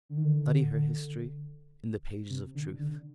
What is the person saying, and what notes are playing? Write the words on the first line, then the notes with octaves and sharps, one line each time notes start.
Study her history in the pages of truth.
D3
D#3
D3
C3
D3
D3